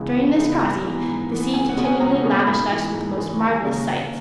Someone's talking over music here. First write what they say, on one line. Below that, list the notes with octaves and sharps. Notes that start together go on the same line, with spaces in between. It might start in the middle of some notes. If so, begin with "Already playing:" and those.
During this crossing, the sea continually lavished us with the most marvelous sights.
Already playing: C#2 C#3 E3 G#3 B3
C#2
C#3 E3 G#3 B3
G#2 A#5
E3 B3
G#2
E3 B3
C#2 G#5
F#5
B2 G#3 C#4
G#5
C#2 A#5
B2 G#3 C#4
G#2 B5
E3 G#3
G#2
E3 G#3
D#2 A#5
G#5
C#3 G#3 C#4 A#5
D#2